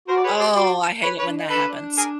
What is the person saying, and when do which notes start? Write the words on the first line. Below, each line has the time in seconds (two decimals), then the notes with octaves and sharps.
Oh, I hate it when that happens.
0.08 F#4 A#4 C5
0.17 D5
0.24 G#4 B4 C#5
0.34 C#5
0.39 G4 C5 D5
0.55 F#4 C5 D5
1.03 B4 C#5
1.19 B4 C#5
1.26 D4
1.35 D#4
1.49 D4 A4 B4
1.65 D4
1.97 G#4 A#4